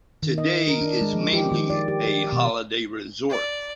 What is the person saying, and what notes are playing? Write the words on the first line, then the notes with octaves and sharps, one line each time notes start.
Today it is mainly a holiday resort.
D#3
D#5
A#4
D4
G#3
F3
G4
D#3
D5
G4
G4
B2
D5